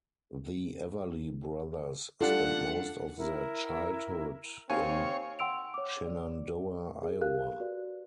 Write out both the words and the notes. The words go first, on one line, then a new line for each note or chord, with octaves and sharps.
The Everly brothers spent most of their childhood in Shenandoah, Iowa.
G3 D4 F4 A4 F#5
E4 A#4
D#2 C4 C#5 F5 G#5
F#5 G5 C6 E6 D7 F7
C#5 D6
D5
G#4
G4 A#4 F5 F#6
F#4 B4 D5